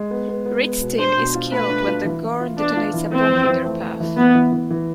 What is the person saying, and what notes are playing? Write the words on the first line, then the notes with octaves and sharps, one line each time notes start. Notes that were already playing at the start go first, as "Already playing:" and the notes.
Reed's team is killed when the Gorn detonates a bomb in their path.
Already playing: G#3
B3
B3
B3
B3
B2
D4 C5
B2
F4
A3 B4
D4
F4
E3
E3
F4
B3 D4
F4
E3
E3 C4
F2
E3
A3
A3
E3
E3 B3
E3
E3
E3